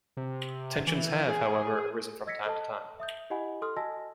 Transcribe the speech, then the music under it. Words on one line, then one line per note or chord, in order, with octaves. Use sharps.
Tensions have, however, arisen from time to time.
C3
E3
G#4
D#5 E6 G#6 A#6 B6 C#7
A4 D#5 A5
E5 D#6 G6
E4 G4 D#5 F#5 G#5 B5
A4 C6 D#6 F6
F#4 D#5 G#5 A5 E6 A#6